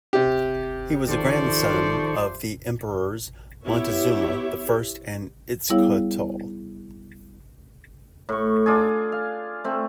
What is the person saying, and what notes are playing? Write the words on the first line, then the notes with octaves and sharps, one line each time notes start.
He was a grandson of the Emperors Moctezuma the First and Itzcoatl.
C3 G4
D#3 F3 A4 C5 D5 C#6
B3 E4 G4 C#5 E5
G3 B3 E4 G#4 C#5 F5
A2 C#6
D4 F4 G#4
F5
A3 C4